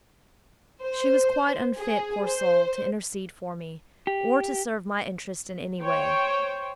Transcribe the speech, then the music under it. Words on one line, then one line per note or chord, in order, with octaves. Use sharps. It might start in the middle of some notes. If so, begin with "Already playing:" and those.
She was quite unfit, poor soul, to intercede for me, or to serve my interests in any way.
C5
G#4
C5
G4
C5 C#5 G5